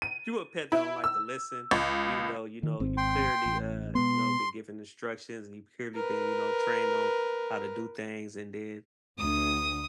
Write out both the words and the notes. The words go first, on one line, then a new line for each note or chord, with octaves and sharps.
you a pet that don't like to listen, even though, you know, you clearly, uh, you know, been giving instructions and you've clearly been, you know, trained on how to do things, and then,
D#7
E4
E6
C#2
D#3
G#1 C4
G5 C6
A1
B2 G#3 B3 C6
A#4 B4
D2 D#6